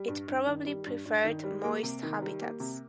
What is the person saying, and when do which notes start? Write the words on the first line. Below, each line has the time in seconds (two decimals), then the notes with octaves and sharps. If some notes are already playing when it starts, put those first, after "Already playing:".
It probably preferred moist habitats.
Already playing: G3
0.08 G2
0.28 G2
0.47 D#3
0.66 G3
0.86 G2
1.06 G2
1.24 D#3
1.44 G3
1.64 A#3
1.83 C3
2.03 D#3
2.22 G3
2.41 A#3
2.60 C3